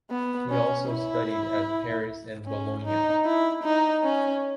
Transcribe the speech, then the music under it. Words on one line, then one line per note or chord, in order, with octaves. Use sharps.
He also studied at Paris and Bologna.
B3
C#4
E4
C#4
D#4
E4
D#4
C#4